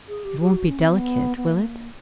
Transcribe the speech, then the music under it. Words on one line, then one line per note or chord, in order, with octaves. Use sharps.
"It won't be delicate, will it?"
G#4
G4
G4
F#4
C#4
C4
B3
B3
A#3